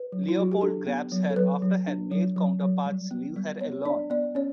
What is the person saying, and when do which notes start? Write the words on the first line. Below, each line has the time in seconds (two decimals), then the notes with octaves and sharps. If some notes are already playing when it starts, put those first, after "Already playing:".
Leopold grabs her after her male counterparts leave her alone.
Already playing: B4
0.12 F#3
0.28 E4
0.37 F#3 F#4
0.52 G4
0.61 D4 A4
0.87 B3
1.12 F#3
1.30 A4
1.36 F#3 B4
1.62 F#3
1.87 D4
2.11 F#3
2.36 F#3
2.61 F#3
2.86 G3
3.11 B3
3.36 G3
3.61 B3 C#5
3.85 D4 D5
4.10 B3 D5
4.35 C#4 C#5